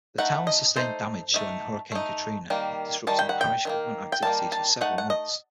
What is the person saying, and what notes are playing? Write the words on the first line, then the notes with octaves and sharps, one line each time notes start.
The town sustained damage during Hurricane Katrina, disrupting parish government activities for several months.
A3 D#4 F#5
D#5
A3 D#4 C5
A3 D#4
A3 D#4
D#3 G3 A#3
D#3 G3 A5
G5
F#5
G5
D#3 G3 A#3
G5
D#3 G3 A#3 A5
A5
A3 D#4 F#5
F#5
D#5